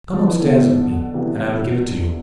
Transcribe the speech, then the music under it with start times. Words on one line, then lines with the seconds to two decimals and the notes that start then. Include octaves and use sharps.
"Come up-stairs with me, and I will give it to you."
0.13 F3
0.27 E3
0.40 B2 D3
1.14 C3 E3